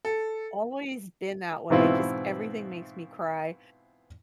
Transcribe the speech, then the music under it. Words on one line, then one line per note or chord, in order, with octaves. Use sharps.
always been that way. Just everything makes me cry.
A4
G#2 B2 E3 C4 E4 F4